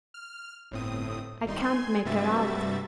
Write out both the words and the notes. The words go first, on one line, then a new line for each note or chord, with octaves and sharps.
I can't make her out.
F6
G1 A2 C4 D#6
G#1 G3 D#4 C6
G#5 C6 G#6
G2 C3 G3 F#4 E5 A6